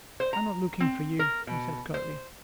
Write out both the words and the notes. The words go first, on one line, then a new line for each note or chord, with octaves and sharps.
"I am not looking for you," he said curtly.
C5
A#5
C4
A#4
B2
C5